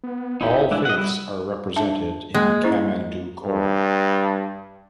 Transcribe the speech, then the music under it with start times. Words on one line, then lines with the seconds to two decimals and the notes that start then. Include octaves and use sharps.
All faiths are represented in Kamandou Koura.
0.04 B3
0.41 E1 D#4 E4 G4
0.71 E3 G#3 D4 E4
0.85 C3 D#5 F#5
0.98 G3 E4
1.76 D4 E5 A5
2.34 G#3 A#3
2.64 C#4 E4 C5
3.45 G2